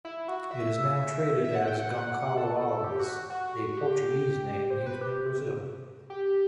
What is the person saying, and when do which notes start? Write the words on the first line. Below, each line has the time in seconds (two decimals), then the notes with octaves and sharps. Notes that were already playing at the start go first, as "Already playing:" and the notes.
It is now traded as goncalo alves, a Portuguese name used in Brazil.
0.05 E4
0.28 F#4
0.51 E5
1.44 E5
1.55 F#5
1.67 G5
1.79 F#5
1.90 F#5
2.37 A4
2.84 G4
2.99 F#4
3.30 F#4
3.77 G4
4.70 C5
4.86 B4
5.01 G4
6.10 G4